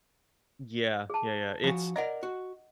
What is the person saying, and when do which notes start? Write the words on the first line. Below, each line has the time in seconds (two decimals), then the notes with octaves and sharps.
Yeah. Yeah, yeah. It's
1.10 G#4 A5
1.64 F3 D4 F#4 G#5 B5
1.96 A#4 D5 D#5 F#5 A#5
2.23 F#4